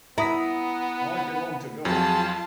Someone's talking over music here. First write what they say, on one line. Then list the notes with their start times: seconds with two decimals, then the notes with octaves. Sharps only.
I belong to God.
0.18 B3 E4 A#5 D#6 B6
1.85 F2 F#3 F4 G#4 A5 C6